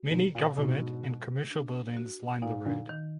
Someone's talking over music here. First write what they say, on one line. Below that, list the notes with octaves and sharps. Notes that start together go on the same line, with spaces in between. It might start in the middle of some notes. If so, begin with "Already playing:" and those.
Many government and commercial buildings line the road.
Already playing: F#4
B2 D#3 D5
A#2
G#2 B2 D4
F#4
D4
F#4
A#2 D#4
A#2 D3
D#3